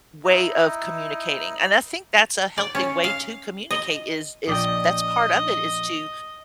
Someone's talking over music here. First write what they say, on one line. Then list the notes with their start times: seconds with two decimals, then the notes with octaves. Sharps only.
way of communicating and I think that's a healthy way to communicate is is that's part of it, is to,
0.24 D#4 E4 D#5
2.58 D5
2.75 C#4
3.04 F5
3.71 D#5
4.48 A#1 D5 D#5 G5